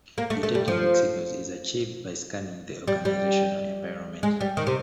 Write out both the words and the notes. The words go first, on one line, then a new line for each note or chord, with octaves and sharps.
Detecting weak signals is achieved by scanning the organizational environment.
A#3
A3
A3
G3
F3
G3
G3
G#3
G3
D#3
C3